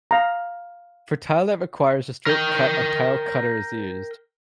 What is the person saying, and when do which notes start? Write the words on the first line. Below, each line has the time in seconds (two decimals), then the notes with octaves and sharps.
For tile that requires a straight cut a tile cutter is used.
0.11 F5 A#5
2.26 A#4 G5